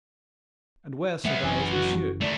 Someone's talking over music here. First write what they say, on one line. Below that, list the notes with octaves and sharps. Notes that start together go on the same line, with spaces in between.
"And where," said I, "is monsieur?"
F#3 G#3 B3 E5
F#1 E3 C#4 G#5
F#4
D#2 A3 D5